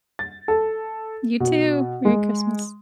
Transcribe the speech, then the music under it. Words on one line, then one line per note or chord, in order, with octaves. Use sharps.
You too, Merry Christmas.
A6
A4
B2
G#3